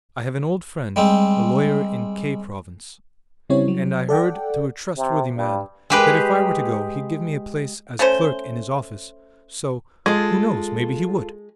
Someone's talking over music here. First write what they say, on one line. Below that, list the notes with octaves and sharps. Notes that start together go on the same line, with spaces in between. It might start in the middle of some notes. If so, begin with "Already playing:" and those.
I have an old friend, a lawyer in K. province, and I heard through a trustworthy man that if I were to go he'd give me a place as clerk in his office, so, who knows, maybe he would.
G3 G#3 C4
C#3 G3 C4 C#4 E4 C#5
F#3
A4 D5 F#5 G5
C3
G2
G#3 G4 B4
A3 C#4 C5
G#3 F4 A4